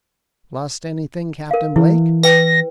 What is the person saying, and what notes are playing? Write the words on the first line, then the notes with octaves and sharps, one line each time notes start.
"Lost anything, Captain Blake?"
A#4 F5
E3 E4
B4 G5 A#6